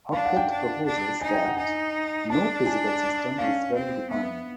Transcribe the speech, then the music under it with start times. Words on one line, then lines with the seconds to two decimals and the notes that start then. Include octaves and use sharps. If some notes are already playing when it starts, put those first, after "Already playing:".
Hockett proposes that "no physical system is well-defined".
0.13 D4 F5
0.25 F#5
0.37 G5
0.49 D4
0.86 D4
1.21 D#4 G#5
1.33 G5
1.45 F#5
1.57 D#4 G#5
2.30 D4 A5
2.66 G#5
3.38 C#4 F5
3.75 C4
4.10 B3 E5